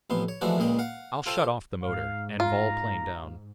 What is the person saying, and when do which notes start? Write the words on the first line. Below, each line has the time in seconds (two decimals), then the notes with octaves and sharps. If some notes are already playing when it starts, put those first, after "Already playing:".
"I'll shut off the motor, and vol-plane down."
0.10 A1 F2 B3 C6
0.28 C#5
0.41 E3 F3 G#3 A3 D4 F#4
0.58 C#2 A#2 C#3 G#3 D#5 G5
0.79 F5 F#5
1.26 F4 A4 C5 G5
1.82 G#2 F5
2.40 F4 A#5